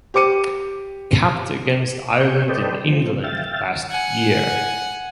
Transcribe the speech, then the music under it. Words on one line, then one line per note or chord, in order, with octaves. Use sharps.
Capped against Ireland and England last year.
G4 C5 D6 C#7 D#7
B2 G#4 C#6 G6
A4 B4 C5 D5 D#5 G5
F3 A3 C4
E5 F5 G5 A6
F#5 G#5